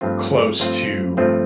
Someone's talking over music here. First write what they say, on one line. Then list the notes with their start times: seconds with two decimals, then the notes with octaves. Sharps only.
close to,
0.01 G2 F3 A3 C4 F4
0.60 G2 F3 A3 C4 F4
1.17 G2 F3 A3 C4 F4